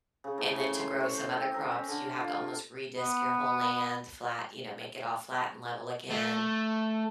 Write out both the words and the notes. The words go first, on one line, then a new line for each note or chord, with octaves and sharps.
and then to grow some other crops, you have to almost re-disc your whole land flat, you know, make it all flat and level again,
C#3
A2
C#3
C6
C#5
C5
C4
A#4
C#4
D3
F4
F4
B3
A3